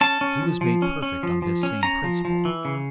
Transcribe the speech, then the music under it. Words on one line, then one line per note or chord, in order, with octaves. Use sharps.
He was made perfect on this same principle.
C#4 A5
C#4
F3
F3
C#4
C#4
F3
F3
C#4
C#4 A#5
F3
F3
E3
C#3